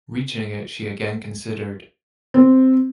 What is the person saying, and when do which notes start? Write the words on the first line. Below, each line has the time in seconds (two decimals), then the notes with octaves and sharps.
Reaching it she again considered.
2.34 C4